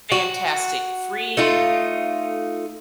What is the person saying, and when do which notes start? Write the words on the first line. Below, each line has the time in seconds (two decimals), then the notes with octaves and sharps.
Fantastic. Free
0.12 F#4
1.37 A3 D#4 F4